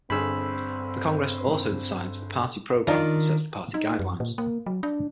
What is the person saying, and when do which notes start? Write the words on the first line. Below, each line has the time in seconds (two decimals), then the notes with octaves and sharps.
The congress also decides the party program and sets the party guidelines.
0.10 G1 G2 D3 C4 G#4 B5 E6
2.87 D#3 D4 D#4 F4
3.74 D#4
3.99 F#2
4.20 A#2
4.38 A#3
4.66 F#3
4.83 D4